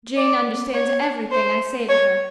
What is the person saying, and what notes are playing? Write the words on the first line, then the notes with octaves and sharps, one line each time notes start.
Jane understands everything I say to her.
D5
C#5
C5
C#5